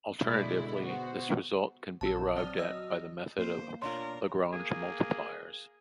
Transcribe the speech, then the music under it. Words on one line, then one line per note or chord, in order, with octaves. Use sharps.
Alternatively, this result can be arrived at by the method of Lagrange multipliers.
B2 D3 G#3 A3 E4 D5
B3 F#4 C5
A#1 A5 E6
F#3 C4 D5 D#6 F6
D#5 E6
A#3 C5
B2 D4 F4 A#4 C#5 C6
A#3 G#4